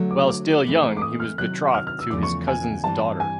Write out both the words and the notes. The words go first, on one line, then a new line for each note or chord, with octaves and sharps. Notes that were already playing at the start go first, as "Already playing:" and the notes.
While still young he was betrothed to his cousin's daughter.
Already playing: D3 F#3 A3
D6
D6
G#2 E3 A3 C4
D6
D#6
F6
C3 D#3 F#3 F#6
F6
F6
E6
E2 C#3 F3 A3 D6
C#6
G#5
G2 E3 G3 C4 A5
G#5